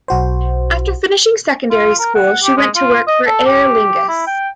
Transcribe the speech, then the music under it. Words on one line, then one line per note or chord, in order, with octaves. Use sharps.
After finishing secondary school she went to work for Aer Lingus.
B1 F#4 C5
F4
A#4
F#5
G4
G#3
F4
D#5
A4
G4
E4
G5